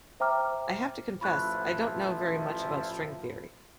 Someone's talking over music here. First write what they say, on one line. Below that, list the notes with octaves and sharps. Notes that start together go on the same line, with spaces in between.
I have to confess I don't know very much about string theory.
C5 E5 G5 A#5 D6 F6
A1 F3 E4 B5 C#6 F#6